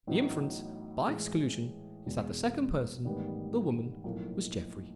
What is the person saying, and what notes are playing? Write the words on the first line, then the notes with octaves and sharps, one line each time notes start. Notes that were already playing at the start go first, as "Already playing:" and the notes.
The inference, by exclusion, is that the second person--the woman--was Jeffrey.
A1 A2 F#3 B3 D#4
A2 E3 G#3
E1 E2 B2 G#3
A1 G#2 D#3 G3 B3
B1 A2 F3 A#3